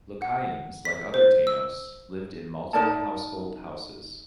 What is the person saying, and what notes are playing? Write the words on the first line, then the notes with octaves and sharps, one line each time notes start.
Lucayans, like other Tainos, lived in multi-household houses.
F#5
B6
C5
E6
D#4 A#4 D5 A5